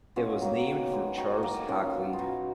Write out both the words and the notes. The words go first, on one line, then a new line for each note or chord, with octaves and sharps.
It was named for Charles Hackley.
B2 C#4 F4
F#3 A#3
D#3
G#3 B3
D#3 D#4 F#4
A#3
D#3 C#4 F4
F#3 B3
F4
B2 D#4 F#4